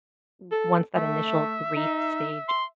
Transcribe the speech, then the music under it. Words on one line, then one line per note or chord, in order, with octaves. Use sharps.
O once that initial grief stage
A4
A3 E5
D#4
C6